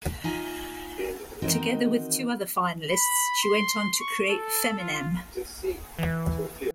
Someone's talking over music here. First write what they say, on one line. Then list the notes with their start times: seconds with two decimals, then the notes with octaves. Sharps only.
Together with two other finalists, she went on to create Feminnem.
0.24 D#4 F4 G#5
1.42 D#3 E3 C4 D#4 F#4 A#4
2.91 B5
3.43 C6
4.00 C#6
4.30 A4
4.79 F4
5.99 E3